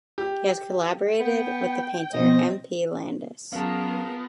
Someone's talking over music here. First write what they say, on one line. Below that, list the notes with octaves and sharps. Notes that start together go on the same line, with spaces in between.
He has collaborated with the painter M. P. Landis.
G4
B3 G5
B2 F3 C4 D#5
F#3 B3 C#4 F4 G#4 A#4 F5 A5